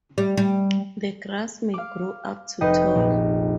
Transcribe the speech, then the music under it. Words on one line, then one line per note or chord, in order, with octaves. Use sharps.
The grass may grow up to tall.
G3
G3
F5 D6
F1 D#4 B4 D#5 G5 C7
A#1